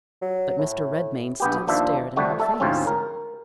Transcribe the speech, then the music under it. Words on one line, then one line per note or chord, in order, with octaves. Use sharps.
But Mr. Redmain still stared in her face.
F#3
A2
A#1 B3 G4
D#2 F3 D4 E5
F2 C3 G3 A3 F#4
A4 E5 A5
D2 G#2 F3 C4 C#4
A#4